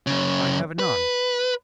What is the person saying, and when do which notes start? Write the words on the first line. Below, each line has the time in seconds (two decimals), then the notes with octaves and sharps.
"I have none."
0.07 F#2 C#3
0.79 B4